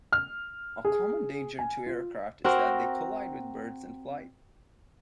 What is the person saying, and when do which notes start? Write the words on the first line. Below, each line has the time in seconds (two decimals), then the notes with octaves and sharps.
A common danger to aircraft is that they collide with birds in flight.
0.12 F6
0.85 G#4
1.59 G#5
1.86 F4
2.44 C4 F#4 A#4